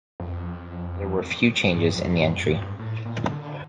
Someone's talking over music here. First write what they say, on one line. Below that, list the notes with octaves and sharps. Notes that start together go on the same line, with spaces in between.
There were few changes in the entry.
F2
G2
F2
G2
F2
A2
G2
A2
A#2
D3